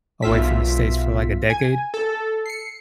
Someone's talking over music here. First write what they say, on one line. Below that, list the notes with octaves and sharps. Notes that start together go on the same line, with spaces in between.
away from the States for like a decade.
B1 F4 E5 B6
G#5
A4
C7 C#7